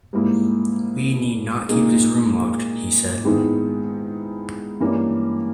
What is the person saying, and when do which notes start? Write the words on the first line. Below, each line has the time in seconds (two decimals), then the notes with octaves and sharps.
"We need not keep this room locked," he said.
0.13 G#2 G3 A#3 E4
1.69 A#2 A#3 D#4 G#4
3.25 G#2 D#3 G#3 B3 E4
4.81 G2 E3 G3 A#3 C#4